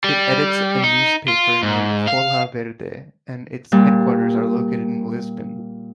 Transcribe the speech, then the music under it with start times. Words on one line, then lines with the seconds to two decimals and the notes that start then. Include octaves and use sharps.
It edits a newspaper named "Folha Verde" and its headquarters are located in Lisbon.
0.04 G3
0.84 D#4
1.28 F4
1.63 G#2
2.07 F5
3.72 A#2 G3